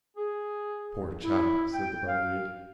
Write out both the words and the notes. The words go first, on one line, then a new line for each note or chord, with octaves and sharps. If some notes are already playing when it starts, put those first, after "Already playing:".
"Poor chap!" said the barmaid.
G#4
E4
G5
F5